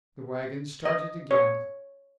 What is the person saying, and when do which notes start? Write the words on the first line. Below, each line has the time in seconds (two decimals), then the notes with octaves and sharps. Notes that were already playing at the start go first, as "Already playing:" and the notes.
The wagon started again.
0.85 D#5
1.31 C#5